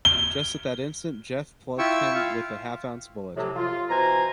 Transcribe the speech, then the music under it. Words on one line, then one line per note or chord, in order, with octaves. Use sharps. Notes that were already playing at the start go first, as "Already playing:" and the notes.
Just at that instant Jeff plugged him with a half-ounce bullet.
G7
E4 F4 G5 C#6 E6
F4 F5
A2 C3 F3 F#3
F4
B2 E3 C5 G#5 A#5